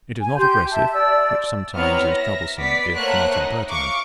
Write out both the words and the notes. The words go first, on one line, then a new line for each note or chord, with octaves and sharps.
It is not aggressive, which sometimes is troublesome, if not impertinent.
G#5
G4 C6 G6
E5 A5
D5 E6
B3 C4 E4 C#5 A#5 F6
E5 A#6
B3 D5 B6
A3 A#3 C5 C#5 F#5 F#6
D#4
F5 C#6 D6